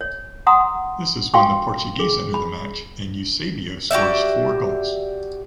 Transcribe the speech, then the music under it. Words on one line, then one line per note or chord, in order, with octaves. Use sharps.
This is when the Portuguese enter the match and Eusebio scores four goals.
C#5
F#5 A#5 C6 D#6 E6
F#4 F5 G5 C6 C#6
G#4
B5
F#4 G4 D5 E5